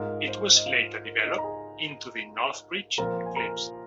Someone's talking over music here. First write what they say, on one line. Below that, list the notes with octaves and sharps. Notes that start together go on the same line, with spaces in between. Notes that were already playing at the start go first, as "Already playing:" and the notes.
It was later developed into the Northbridge Eclipse.
Already playing: G#2 G#3 F4 A#4
C5
D#5
F4 F5
A#4
D#4 D#5
A#5
G#4 G#5
A#2 F3 C4 F4 A#4 A#5
G#5
A#4 A#5